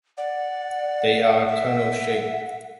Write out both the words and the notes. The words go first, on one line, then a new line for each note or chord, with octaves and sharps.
They are tunnel-shaped.
D5 F#5
E5